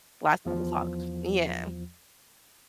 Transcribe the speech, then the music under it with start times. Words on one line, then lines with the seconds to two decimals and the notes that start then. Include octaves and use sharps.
last time we talked. Yeah.
0.46 E2 F3